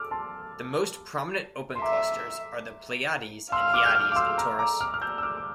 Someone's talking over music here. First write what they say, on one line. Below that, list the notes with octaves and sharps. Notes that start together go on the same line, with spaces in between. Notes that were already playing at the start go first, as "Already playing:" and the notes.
The most prominent open clusters are the Pleiades and Hyades in Taurus.
Already playing: D6 E6 F6
A5 C6
C6
E5 A#5 D6
F5 C6 E6
D6 F6
G6
D6 F6
D6
C6 E6
A#5 D6
A#5 D6
D6 F6
F6
E6 G6
E6
D6 F6
D6